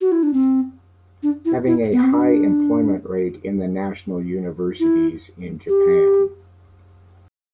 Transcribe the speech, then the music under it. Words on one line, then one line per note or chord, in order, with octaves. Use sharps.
Having a high employment rate in the national universities in Japan.
F#4
E4
D4
C4
D4
E4
E4
B3
C4
D4
E4
G4